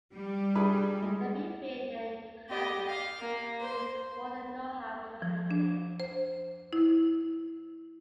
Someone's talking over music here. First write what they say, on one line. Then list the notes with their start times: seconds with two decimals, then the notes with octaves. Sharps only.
There'd be fear, then panic: they just wouldn't know how to handle it.
0.14 G3
0.55 D4 G#4 B4
1.02 G#3
2.49 G4 D#5
2.87 F5
3.21 A#3
3.60 C5
5.22 F3
5.51 D4
6.00 C5
6.73 E4